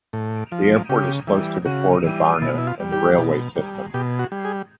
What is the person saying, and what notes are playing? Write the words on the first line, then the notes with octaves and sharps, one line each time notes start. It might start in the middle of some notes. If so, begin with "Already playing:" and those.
The airport is close to the Port of Varna and the railway system.
A2
F3
C#3 G4
E3 G3
C#3 F#4
E3 G3
B2 E4
E4
F4
G3
G4
B2
G3
B2 G4
F#4
G3
G#4